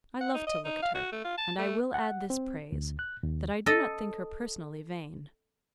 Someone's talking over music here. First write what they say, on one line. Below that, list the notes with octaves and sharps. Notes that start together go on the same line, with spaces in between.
I love to look at her; and I will add this praise, that I do not think her personally vain.
F#5
D#4
D#5
D#4
F5
F#4
A3
F4
A5
A3
F#5
C4
D2
F#6
D#2
A4 D#5